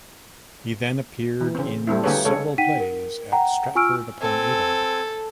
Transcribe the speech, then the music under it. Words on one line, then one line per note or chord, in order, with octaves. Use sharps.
He then appeared in several plays at Stratford-upon-Avon.
E3
C#3 C4
G3 A3 C4 E4
D3 A#3 G4 G#4 B4 C#5
C#3 G#3 A4 C#5
D#4 F#5 G5 B6 D#7
A#4
F#5 G5 A#5
F4 G#5 C#6 E6 F6 D7
C4 A4 G#5